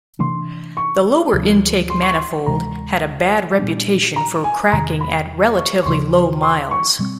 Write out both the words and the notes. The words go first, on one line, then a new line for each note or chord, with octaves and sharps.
The lower-intake manifold had a bad reputation for cracking at relatively low miles.
C3 E3 A3 D4 C6
C#6
D2 C3 F3
C6
C#6
C6
D2 C3 E3 G#3 A#5
A#2 G3 B3 D4
A#5
G#5
E2 C3 D#3 A#5
B5
C#6
C#6
D#2 C#3 F3 C6
C6
C6
C#6
B2 G3 C4